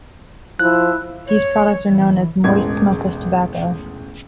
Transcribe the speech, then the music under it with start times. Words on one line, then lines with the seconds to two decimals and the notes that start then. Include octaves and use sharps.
These products are known as moist smokeless tobacco.
0.59 F3 E4 F#6
1.27 C#5
1.86 E3
2.44 E1 A1 G#3 G#6